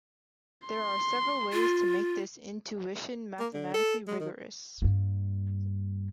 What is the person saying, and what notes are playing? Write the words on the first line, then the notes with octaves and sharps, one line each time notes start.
There are several ways to make this intuition mathematically rigorous.
C6
F4
A#3
D3
A4
G#3
D#3
G2 A#3